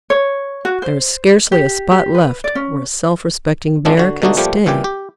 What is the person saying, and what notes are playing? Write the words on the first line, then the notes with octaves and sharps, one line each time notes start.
There is scarcely a spot left where a self-respecting Bear can stay.
C#5
F#4
C5
G4
G4
B4
D5
C#4
G#2 E3 F3 C4 D4
D3 F#4
B2 D3 A3 D4 D#4 F#4
A#2 F3 G3 A3 G4
C2 A#2 E3 G4 G5
G4